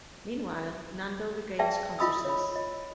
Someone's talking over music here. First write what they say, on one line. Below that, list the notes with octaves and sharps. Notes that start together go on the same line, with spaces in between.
Meanwhile, Nando regains consciousness.
G#4 B4 D5 E5 G5 A5
E4 F4 D#5 B5 D#6 E6
C#5 B5
D#5